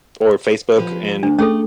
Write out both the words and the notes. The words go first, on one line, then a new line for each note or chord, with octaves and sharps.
or Facebook, and
F3 G4 B4
D2 D4
A3 C#4 G#4 A4